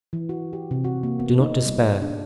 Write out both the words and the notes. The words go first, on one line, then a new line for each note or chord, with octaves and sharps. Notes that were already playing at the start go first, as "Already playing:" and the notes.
Do not despair!
E3
F#4
G4
C3
F#4
A#3
B3
D#4
G3
G#4
D4